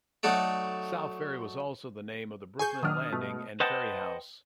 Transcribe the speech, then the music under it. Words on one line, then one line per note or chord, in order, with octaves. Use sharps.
"South Ferry" was also the name of the Brooklyn landing and ferry house.
F#3 A3 D#4 F#4 A4 D5
G#4 G#5 C#6 G6
D#3 F#3 D4 D#6 F6
B2 A3
B4 C5 D#5 F#5 G5 A5